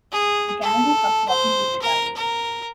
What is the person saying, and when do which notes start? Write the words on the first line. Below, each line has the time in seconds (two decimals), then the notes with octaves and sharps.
The Canada Cup trophy was retired.
0.12 G#4
0.62 A4
1.29 C5
1.82 A#4
2.17 A#4